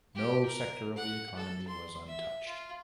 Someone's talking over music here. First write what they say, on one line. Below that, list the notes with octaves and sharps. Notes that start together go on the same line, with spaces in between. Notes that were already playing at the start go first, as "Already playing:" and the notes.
No sector of the economy was untouched.
G4
A#4
F#5
A4
C6
E5
F4